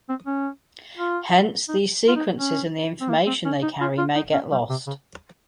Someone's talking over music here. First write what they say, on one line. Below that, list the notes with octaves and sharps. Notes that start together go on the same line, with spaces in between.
Hence, these sequences and the information they carry may get lost.
C4
C#4
F4
D#4
F4
D#4
C#4
C4
A#3
C4
C#4
D#4
F4
F4
D#4
C#4
G3
C3
C#3